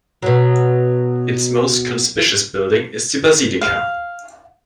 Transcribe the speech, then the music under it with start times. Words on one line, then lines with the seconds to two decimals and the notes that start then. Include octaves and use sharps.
Its most conspicuous building is the basilica.
0.22 B2 F#3
3.61 F5